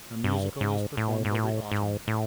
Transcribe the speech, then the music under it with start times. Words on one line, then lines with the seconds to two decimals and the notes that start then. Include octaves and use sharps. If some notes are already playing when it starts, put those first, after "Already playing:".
A musical is performed every autumn.
0.24 G2
0.61 G#2
0.97 A2
1.25 G#2
1.35 A2
1.72 G#2
2.08 A2